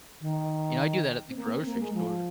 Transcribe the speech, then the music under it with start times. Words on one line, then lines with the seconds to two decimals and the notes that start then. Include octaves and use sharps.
You know, I do that at the grocery store.
0.21 D#3
1.28 C4
1.36 A#3
1.51 C4
1.65 A#3
1.80 G#3
1.94 F3